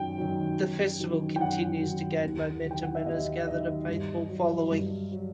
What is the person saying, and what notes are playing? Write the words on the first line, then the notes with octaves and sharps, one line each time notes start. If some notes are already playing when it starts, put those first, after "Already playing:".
The festival continues to gain momentum and has gathered a faithful following.
Already playing: F#2 D#3 F#3 G5
D#3 F#3
F#2
D#3 F#3
G5
F#2 F#5
D#3 F#3
D#2
D#3 F#3
G5
F#5
E5
D#2 D#5
E5
D#3 F#3 D#5
G2
F#3
G2
F#3